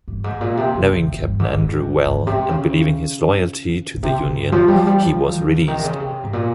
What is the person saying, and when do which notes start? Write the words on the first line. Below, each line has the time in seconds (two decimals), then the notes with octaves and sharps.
Knowing Captain Andrew well and believing his loyalty to the Union he was released.
0.08 G2
0.24 G#2
0.41 A#2
0.57 C3
0.74 C3
0.90 C#3
1.07 F2
1.23 G2
1.39 G#2
1.56 G#2
1.72 G2
2.06 G#2
2.27 C3
2.50 C#3
3.97 A#2
4.03 C3
4.19 C3
4.36 G2
4.52 F3
4.68 G3
4.78 F3
4.87 G3
5.02 F3
5.34 D#3
5.50 C#3
5.68 D#3
5.79 C3
5.84 C#3
6.00 C3
6.23 G#2
6.33 A#2